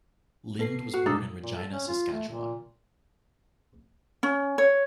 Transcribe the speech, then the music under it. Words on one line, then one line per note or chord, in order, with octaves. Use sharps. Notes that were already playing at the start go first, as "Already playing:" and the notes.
Lind was born in Regina, Saskatchewan.
B3 A4 C7
F#4
B2 G#3 D4 D#4 A4
A#2
A4
C#4
F4
A3
A#2
C#4
C#5